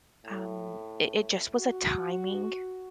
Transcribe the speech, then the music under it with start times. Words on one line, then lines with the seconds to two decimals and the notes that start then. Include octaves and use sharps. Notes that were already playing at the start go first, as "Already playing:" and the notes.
um, i it just was a timing
0.25 A2
1.56 F#4